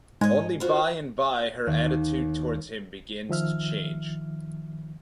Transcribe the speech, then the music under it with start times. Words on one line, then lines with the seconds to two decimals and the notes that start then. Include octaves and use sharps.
Only by and by her attitude towards him begins to change.
0.21 G#2 C#5 D#5 G#5
0.60 F4 F#4 C5
1.67 D#2
3.29 D#3 F3 E5 F6